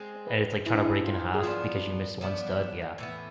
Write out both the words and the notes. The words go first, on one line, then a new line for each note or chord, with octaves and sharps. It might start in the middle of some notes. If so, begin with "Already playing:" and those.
and it's like trying to break in half because you missed one stud, yeah.
Already playing: G#3 C4 G#4
B4
G#3 C4 E4 G#4
D4
E4
F4
G#4
F3 B3 D4 F4
F3 B3 D4
A2 E3 B3